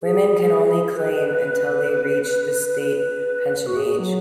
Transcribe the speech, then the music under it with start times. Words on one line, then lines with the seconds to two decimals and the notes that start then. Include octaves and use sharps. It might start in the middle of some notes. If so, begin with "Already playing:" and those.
Women can only claim until they reach the State Pension age.
0.03 G#4
0.96 B4
2.83 B4
3.66 F#4
3.77 G#4
3.99 F#3